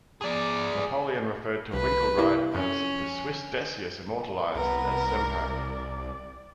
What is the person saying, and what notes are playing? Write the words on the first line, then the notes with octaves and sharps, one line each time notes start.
Napoleon referred to Winkelried as "the Swiss Decius immortalized" at Sempach.
G#4 D5
C2 B4
C3 A#3 E4
F2 C#4
C2 B3 A#4 B4
D5